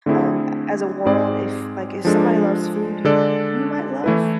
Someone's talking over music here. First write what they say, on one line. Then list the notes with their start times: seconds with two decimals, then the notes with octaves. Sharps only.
um, as a world if, like, if somebody loves food, y we might love,
0.06 D3 A3 C4 E4 G#4
1.05 G#2 G#3 C4 G#4 D5
2.05 F3 G#3 D4 A4
3.05 D3 G#3 D4 A4 D5
4.04 E3 A3 E4 B4